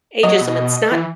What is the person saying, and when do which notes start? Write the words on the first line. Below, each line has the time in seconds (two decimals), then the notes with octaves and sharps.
ageism it's not
0.23 F#3 D#5
0.41 B2
0.91 E3